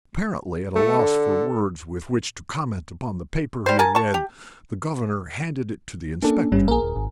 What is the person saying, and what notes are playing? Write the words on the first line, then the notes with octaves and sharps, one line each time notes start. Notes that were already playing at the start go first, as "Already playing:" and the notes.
Apparently at a loss for words with which to comment upon the paper he had read, the governor handed it to the inspector.
A3 A4
D3
G3 C5
A#4 G#5 A5
A5 C#6
G4
A#3 C#4 D4 A4
G#1 G2 G3 C#4
A#1 A#3 G#4 A#4
D#1
G#1